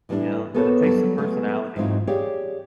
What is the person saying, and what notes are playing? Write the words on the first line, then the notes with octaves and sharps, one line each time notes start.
you know? And it takes some personality.
A2 E3 G3 B3 D4 E4
B3 F#4 A4 A#4 C5 C#5
F#3 G3 A4
F#3 G#3 A3 B3
G#2 E3 F#3 C4 D#4 F4
G4 G#4 C#5 D5 F5 G5